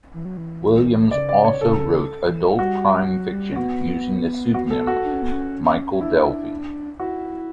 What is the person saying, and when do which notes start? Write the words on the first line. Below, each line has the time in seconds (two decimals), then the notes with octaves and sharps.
Williams also wrote adult crime fiction using the pseudonym Michael Delving.
0.14 E3
0.25 F#3
0.37 E3
1.11 C#3 D5
1.29 D5
1.45 C#5
1.61 C#3 A4
2.26 E3
2.59 G3 F#4
3.08 F#3
3.33 G3
3.52 C#4
3.56 B3 F#4
4.54 F#4
4.71 A4
4.87 F#4
5.04 D4
5.13 C#4
5.22 B3
5.32 C#4
5.92 C#4
6.01 D4 E4
6.99 E4 F#4